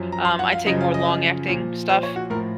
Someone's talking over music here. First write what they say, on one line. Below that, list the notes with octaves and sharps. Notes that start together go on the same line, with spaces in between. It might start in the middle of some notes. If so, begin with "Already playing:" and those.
um, I take more long-acting stuff,
Already playing: F#2 F3
A#5
C6
F#5
F5
F#2 C#3 F3 D#5
F5
D#5
A#2 F3
C5
C#5
F#4
A2 F3 A#4